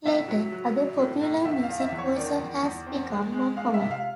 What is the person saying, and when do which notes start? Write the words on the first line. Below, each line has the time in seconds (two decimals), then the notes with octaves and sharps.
Later, other popular music also has become more common.
0.05 A2 E5
0.28 F#3
0.52 F#3
0.76 F#3
0.98 A2
1.22 A2
1.45 E2 E5
1.63 F5
1.69 E2
1.80 E5
1.92 E2
1.98 C#5
2.15 D#3 D5
2.39 E2
2.63 E2
2.87 C4
3.10 G#3
3.33 G#3
3.56 G#3 F5
3.74 E5
3.80 C3
3.91 F5